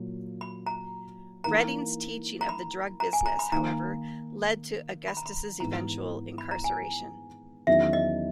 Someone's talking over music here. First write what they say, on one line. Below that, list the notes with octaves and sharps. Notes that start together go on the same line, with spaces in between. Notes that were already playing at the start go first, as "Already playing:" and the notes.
Redding's teaching of the drug business however led to Augustus' eventual incarceration.
Already playing: A#2 F#3 A#3
B5
A#5
E3 A#3 D#4 A#4 A#5
A#5
B5
A#5
G#5
A#5
B5
D#3 A#3 D#4 A#5
B5
A#5
B5
G#2 E3 B3 E4 A#5
B5
A#5
G#5
E2 D#3 F#3 C#4 E4 E5
D#5